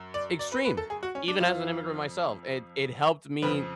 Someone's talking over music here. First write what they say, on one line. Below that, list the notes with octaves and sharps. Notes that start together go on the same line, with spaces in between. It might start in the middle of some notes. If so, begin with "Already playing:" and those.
extreme, even as an immigrant myself, it it helped me
Already playing: F#2
D5
D5
B4
B4
A4
G#4
F#4
C#4
D4
F2 F3 F4
F2 C#3 F3 B4